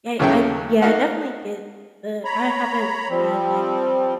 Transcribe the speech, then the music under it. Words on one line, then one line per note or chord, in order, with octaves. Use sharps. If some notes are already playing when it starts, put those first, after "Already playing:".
ye I yeah, I definitely get the I haven't had, like, um,
D#2 C#3 E3 F#3 A3 G5
A#3 D#4 F#4 F5 F#5
C#5 A#5 B5
F3 G3 C4